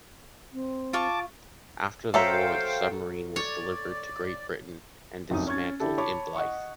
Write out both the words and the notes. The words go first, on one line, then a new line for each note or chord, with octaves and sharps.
After the war, the submarine was delivered to Great Britain and dismantled in Blyth.
C4
F4 A5 C#6 D6
F#3 A4 C5 E5 F5 G5 A#5
C#5 D5
F1 B1 F#2 D#4 D#6
C#4 C#6 G#6 A6
D3 E4 G4 A4
C#5 A5 B5 C#6 D6
D#5 F#5 C#6